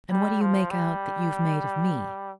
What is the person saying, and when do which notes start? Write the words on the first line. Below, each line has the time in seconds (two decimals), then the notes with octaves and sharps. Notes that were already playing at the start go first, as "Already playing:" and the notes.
"And what do you make out that you've made of me?"
0.11 G3
0.41 F3
0.71 G3